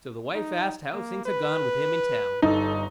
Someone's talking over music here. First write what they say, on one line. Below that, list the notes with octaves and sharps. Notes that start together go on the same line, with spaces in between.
So the wife asked how things had gone with him in town?
D#4
A#3
B4
G1 D#4 A4